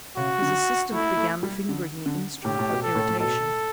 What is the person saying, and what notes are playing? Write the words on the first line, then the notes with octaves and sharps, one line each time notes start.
His assistant began fingering the instrument with irritation.
C#3 F#4
D3
A3 E4
A3
G3
D3
D3
A2 G4
A2
B2
A4
A2
A2
B2 A4